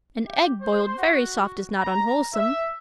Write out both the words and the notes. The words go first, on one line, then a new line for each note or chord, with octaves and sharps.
An egg boiled very soft is not unwholesome.
G4
C5
F#4
A#5
E5